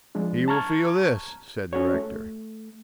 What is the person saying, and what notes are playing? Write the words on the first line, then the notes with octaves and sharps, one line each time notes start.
"He will feel this," said the rector.
F3 G#3 D4
A5 A#5 C#6 F6 G#6
C#4 F#4 C#5
A3